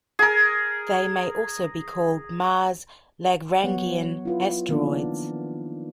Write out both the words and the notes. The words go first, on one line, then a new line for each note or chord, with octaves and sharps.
They may also be called Mars Lagrangian asteroids.
G#4 A#4
F#3 B3 C#5 F#5
E4 F4 B4
D#3 F3 A#3 B3 D4